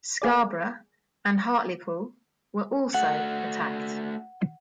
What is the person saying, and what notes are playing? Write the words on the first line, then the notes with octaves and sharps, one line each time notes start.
Scarborough and Hartlepool were also attacked.
A#3 G#4 D5
A3 F#4 F#5